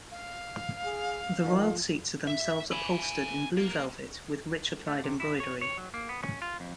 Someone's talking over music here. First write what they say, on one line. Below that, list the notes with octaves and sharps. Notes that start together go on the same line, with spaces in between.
The royal seats are themselves upholstered in blue velvet with rich applied embroidery.
F5
G#4
D#3 F3
E5
G#5 B5
A#3
A3
C3
E4
C#5
C#5
F#3
A#3
B3
C#4
F4
F2